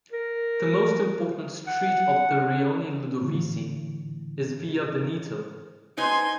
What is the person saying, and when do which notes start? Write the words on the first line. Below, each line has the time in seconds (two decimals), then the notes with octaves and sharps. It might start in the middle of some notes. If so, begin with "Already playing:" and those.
The most important street of the rione Ludovisi is Via Veneto.
0.12 A#4
1.67 F#5
3.22 A2 D3 E3
5.97 D#4 B4 C5 G#5 C6